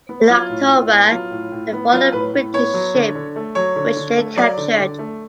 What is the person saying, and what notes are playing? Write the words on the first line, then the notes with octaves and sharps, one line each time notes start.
In October, they followed a British ship which they captured.
B3
F#3 F4
A2
A2
B3
F#3 F4
A2
A2
B3
F#3 F4
A2 B4
A2
B3 C#5
F#3
D3
D3
A3
F#3 C#5
D3
D3
A3
F#3 D5
D3
D3
A3